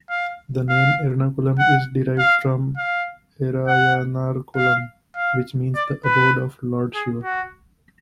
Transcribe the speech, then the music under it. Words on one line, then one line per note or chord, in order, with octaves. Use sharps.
The name "Ernakulam" is derived from "Erayanarkulam" which means the abode of Lord Shiva.
F5
F5
F#5
F5
F5
F#5
F5
F5
D5
B4
G#4
F#4